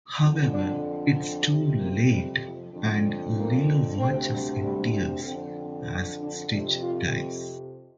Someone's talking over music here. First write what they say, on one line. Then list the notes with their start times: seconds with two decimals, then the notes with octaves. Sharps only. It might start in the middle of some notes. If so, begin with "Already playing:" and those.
However, it's too late and Lilo watches in tears as Stitch dies.
0.22 F2 D3
0.53 D4
1.16 C4
1.47 F2 C3
1.78 A#3
2.09 G3
2.41 F3
2.73 F2 D3
3.36 A#3
3.98 D2 C3 C4
4.30 G3
4.61 G3
5.24 F2 D3 C4
5.56 C4
6.19 D4
6.50 F2 C3 D4
6.81 F4